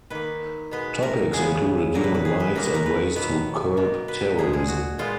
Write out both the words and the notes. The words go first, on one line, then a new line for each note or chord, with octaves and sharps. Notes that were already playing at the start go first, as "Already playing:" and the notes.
Topics included human rights and ways to curb terrorism.
D#3 A#3 B4
B2 G#3 B3 B4
A#4
C#3 G#3 B3 G#4
A#2 F#3 A#3 A#4
B4
B4
G#4
B4
D#3 A#3 A#4
B4
A#4
B4
B2 F#3 A#3 B4
B2 A#3
B4
A#2 F3 G#3 G#4
G#4
F#4
A#2 G#3 B3 F4